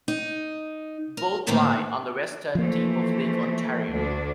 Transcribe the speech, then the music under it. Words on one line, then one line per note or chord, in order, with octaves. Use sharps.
Both lie on the western tip of Lake Ontario.
D#4
A#4
A2 D3 D#3 A#3 C4
E3 F3 A3 A#3 C5
D2 D4